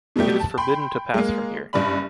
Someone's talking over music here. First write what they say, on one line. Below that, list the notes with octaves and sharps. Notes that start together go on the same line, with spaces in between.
It is forbidden to pass from here.
B2 F#3 G3 A3 G4
A5
G5 B5 C6
G#3 A#3
F#1 G2 D4 B5